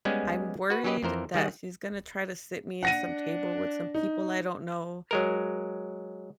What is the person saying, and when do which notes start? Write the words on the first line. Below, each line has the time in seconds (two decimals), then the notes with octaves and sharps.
I'm worried that she's gonna try to sit me in some table with some people I don't know.
0.05 G3 G#3 B3 C#4 G#4
0.70 F#4 B4
0.84 F#3 C#4 G4 B4 D#5
1.03 F2 E3 A#4 C5
1.34 D#3 G3 G#4 F#5
2.83 D4 F#5 A#6 D#7
3.95 D#4
5.11 F#3 G#3 A#4